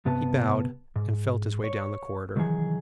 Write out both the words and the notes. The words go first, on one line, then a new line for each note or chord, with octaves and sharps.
He bowed and felt his way down the corridor.
G2 C3 B3 B4 A5
G#2
C#5
C2 D#3 E3 F#3 G#4